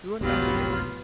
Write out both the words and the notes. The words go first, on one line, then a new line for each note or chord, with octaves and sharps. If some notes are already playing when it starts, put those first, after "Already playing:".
We went down together.
F1 B1 G#2 F#3 B3 F4 G4